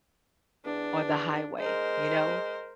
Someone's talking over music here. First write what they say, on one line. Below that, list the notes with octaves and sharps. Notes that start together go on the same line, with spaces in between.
or the highway, you know?
E2 D4
G#3 A#4 C5